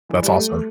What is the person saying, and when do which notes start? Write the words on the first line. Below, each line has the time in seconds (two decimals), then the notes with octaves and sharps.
That's awesome.
0.09 E3
0.22 G3
0.35 A3